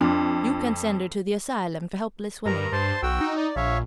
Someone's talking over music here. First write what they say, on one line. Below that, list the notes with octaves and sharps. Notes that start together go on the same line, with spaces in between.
You can send her to the asylum for helpless women.
F2 D4 F4
G2 A#4 A#5
G2 C5 A5 C6
B1 F#4 G5 E6
D#4
D5
A#1 C#5 E5 F5